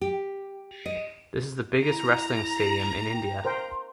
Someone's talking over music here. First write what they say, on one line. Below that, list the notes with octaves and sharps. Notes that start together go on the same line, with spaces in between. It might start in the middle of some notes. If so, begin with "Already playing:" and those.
This is a biggest Wrestling Stadium in India.
G4
D#5
E4 A#5
G5
A#4 C5 G5 C6